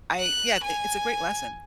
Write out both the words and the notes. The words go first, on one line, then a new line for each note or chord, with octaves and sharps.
I yeah, it's a great lesson.
F#6
G#5